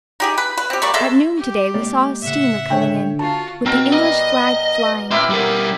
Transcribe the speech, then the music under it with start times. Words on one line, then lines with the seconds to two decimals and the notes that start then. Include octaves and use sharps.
At noon to-day we saw a steamer coming in, with the English flag flying.
0.20 D#4 G4 G#4
0.38 B4
0.57 B4
0.70 C4 G4
0.82 G3 A#3 D5 C#6
0.94 G#3 A4 E5
1.37 G4
1.74 G#3 A#3 D5
2.22 A2 C#3 E5 F#5
2.70 D3 C#5 G5
3.19 F4 F#4 A5
3.66 B2 C4 A#4
3.92 G3 D#5
5.11 A#3 E4 G4 E5 C6
5.30 G3 A#4